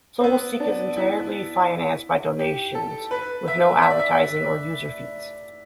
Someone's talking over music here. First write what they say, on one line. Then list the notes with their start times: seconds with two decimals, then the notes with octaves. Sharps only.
Soulseek is entirely financed by donations, with no advertising or user fees.
0.20 C4
0.24 B3
0.60 D4
0.96 E4
2.39 G4
2.75 A4
3.11 B4
3.48 E5
3.83 E5
3.90 D5
3.99 E5